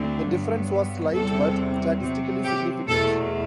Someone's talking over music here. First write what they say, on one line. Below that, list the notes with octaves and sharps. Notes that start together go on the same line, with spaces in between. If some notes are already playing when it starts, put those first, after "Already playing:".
The difference was slight, but statistically significant.
Already playing: D2 D3 A3 C4
G2 F#3 B3
E2 C3 G3 C4 A4
C3 F#3 C4
G4
E2 B2 A3 A4